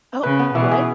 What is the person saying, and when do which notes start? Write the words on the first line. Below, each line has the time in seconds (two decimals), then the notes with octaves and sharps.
Oh what?
0.23 C#3 B4
0.39 B3
0.55 B2 E3
0.71 G#4